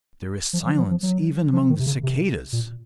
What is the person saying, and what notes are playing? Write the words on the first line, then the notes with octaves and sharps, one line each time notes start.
There is silence even among the cicadas.
F3
F3
F3
F3
F#3
F3
D#3
C3
C#3
C3
A#2